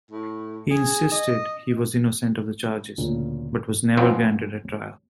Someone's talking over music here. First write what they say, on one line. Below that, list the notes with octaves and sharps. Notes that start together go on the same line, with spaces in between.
He insisted he was innocent of the charges, but was never granted a trial.
A2
G#4
D#5
D2 A#2 C#3
F2 A#2 C#3 B3 C4